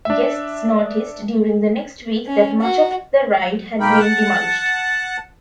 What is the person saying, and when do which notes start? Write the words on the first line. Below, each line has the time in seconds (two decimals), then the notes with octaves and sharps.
Guests noticed during the next week that much of the ride had been demolished.
0.05 D4 E5
2.27 C#4
2.60 F#4
3.80 B2 A#3 D#4 A#4 G5 B5
3.99 F#5 A5